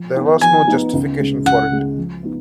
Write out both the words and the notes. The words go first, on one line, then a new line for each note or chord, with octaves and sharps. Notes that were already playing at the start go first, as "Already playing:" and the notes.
There was no justification for it.
Already playing: F3
B3 D#4
F3 G#5
B3 D#4
C#2
C#3 G#3
C#2 F#5
C#3 G#3
F3
B3 D#4